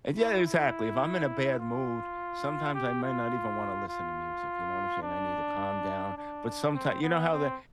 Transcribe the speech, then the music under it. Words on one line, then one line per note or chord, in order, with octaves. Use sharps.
And, yeah, exactly, if I'm in a bad mood, sometimes I may not even wanna listen to music, you know what I'm saying? I need to calm down, but sometime you know how the
E4
E4
F4
G4
F4
F4
D4
D4
C4
B3
C4